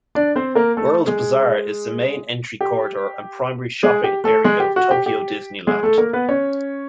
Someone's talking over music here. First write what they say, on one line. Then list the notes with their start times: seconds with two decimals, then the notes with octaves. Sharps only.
World Bazaar is the main entry corridor and primary shopping area of Tokyo Disneyland.
0.15 D4 D5
0.36 C4 C5
0.55 A#3 A#4
0.77 A3 A4
1.07 G#3 G#4
2.61 G4
3.83 G#3 G#4
4.04 G4
4.24 A3 A4
4.44 G#3 G#4
4.60 G4
4.76 F#4
4.91 G4
5.06 G4
5.67 G#3 G#4
5.83 A3 A4
5.98 A#3 A#4
6.13 B3 B4
6.29 C#4 C#5